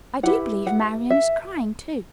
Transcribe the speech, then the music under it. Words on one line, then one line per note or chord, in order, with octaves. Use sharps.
I do believe Marian is crying, too.
E4 G4 B4 F#5
F#5
E5